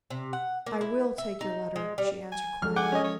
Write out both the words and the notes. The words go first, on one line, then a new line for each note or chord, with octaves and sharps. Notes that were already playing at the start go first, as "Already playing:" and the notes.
"I will take your letter," she answered, quietly.
C3
F#5
A#3
E4
E5
D#4
G#3
G3
G#5
F3 G#3 A4 F6
F#5 G#5 D6
C#4 D#5
C#5